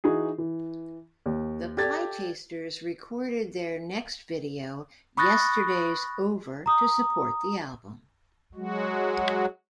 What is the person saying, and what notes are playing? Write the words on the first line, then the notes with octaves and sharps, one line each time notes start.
The Pietasters recorded their next video, Yesterday's Over, to support the album.
E3 D#4 F#4 G#4
E3
D#2
G4 A4 D5 G#6 A6
B5 C#6 D#6 F#6 A6 A#6
A#5 D#6
F#3 G#3 F#4